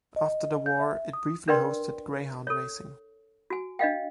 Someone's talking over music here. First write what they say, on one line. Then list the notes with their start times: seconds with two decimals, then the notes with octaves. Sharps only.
After the war, it briefly hosted greyhound racing.
0.16 D#5
0.66 G6
0.80 E5
1.13 D#6
1.48 D4 A#4 B4 D5 G5 C6
2.47 A4 C#5
3.50 F#4 G#5
3.79 D4 D#5 F5 G5